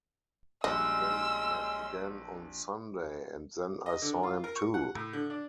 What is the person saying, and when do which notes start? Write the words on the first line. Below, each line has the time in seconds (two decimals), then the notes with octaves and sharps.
They met again on Sunday, and then I saw him too.
0.64 A#1 G3 G#3 C#4 F#4 D#5 C6 E6
3.86 D#5
4.02 D3
4.23 F4
4.44 A#4
4.56 C#6
4.74 F#5
4.95 A2
5.13 D3
5.30 D4